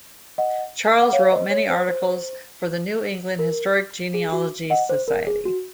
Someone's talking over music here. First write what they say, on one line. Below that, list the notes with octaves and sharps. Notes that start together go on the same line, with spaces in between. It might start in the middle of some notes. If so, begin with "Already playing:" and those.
Charles wrote many articles for the New England Historic Genealogy Society.
D#5 F#5
F#5
C#5 F5
C5 D#5
C#5
C5
C5
A#4
G#4
F#4
D#5 F#5
C5
A#4
G#4
F#4